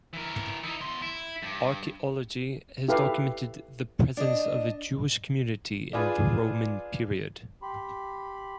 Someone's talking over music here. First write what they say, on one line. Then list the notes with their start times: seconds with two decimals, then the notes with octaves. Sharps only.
Archaeology has documented the presence of a Jewish community in the Roman period.
0.13 E3 A#4
0.64 D#4 E4
0.81 E2 C6
1.02 E4
1.43 G2
2.88 E4 G4 A4 B4 F5
4.17 D4 D#5
5.93 D4 F4 G#4 B4
7.62 G4 B5 C6